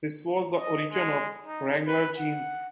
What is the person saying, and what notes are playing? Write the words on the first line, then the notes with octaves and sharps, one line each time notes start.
This was the origin of Wrangler Jeans.
D#5
G#3
D#4
B4
F#5